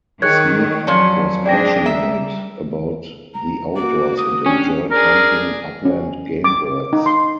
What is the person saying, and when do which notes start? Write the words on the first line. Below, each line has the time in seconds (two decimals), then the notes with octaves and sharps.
Smith was passionate about the outdoors and enjoyed hunting upland game birds.
0.22 D#3 G#4 C#5 F#6 G#6
0.87 F2 F#3 C#4 D5
1.46 C4 D4 G#4 D5 G5 A#6
1.86 G3 E5 A#5
3.34 A#5
3.76 A#3 F#4 D6
4.17 D#6
4.46 C#4 D4 G4
4.91 D4 G#4 A#4
5.85 C#4
6.44 D6
6.93 D#4
7.06 C6